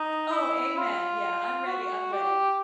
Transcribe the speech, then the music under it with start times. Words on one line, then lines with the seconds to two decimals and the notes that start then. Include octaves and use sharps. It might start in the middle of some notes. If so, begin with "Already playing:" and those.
Oh, amen. Yeah. I'm ready. I'm ready.
Already playing: D#4
0.32 E4
0.77 F4
1.67 F#4
2.12 G4